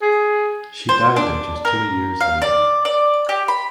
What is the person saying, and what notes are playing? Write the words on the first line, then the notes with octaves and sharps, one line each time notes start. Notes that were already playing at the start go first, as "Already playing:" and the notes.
She died there just two years later.
G#4
C5
D4
A#4
F5
D5
D5
G4
B5